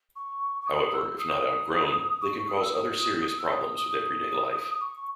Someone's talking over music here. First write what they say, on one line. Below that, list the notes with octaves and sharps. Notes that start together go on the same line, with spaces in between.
However, if not outgrown, they can cause other serious problems with everyday life.
C#6
C#6
D#6
D#6
E6
D#6
C#6
C#6
D#6
E6
D#6
D#6
E6
D#6
D#6
C#6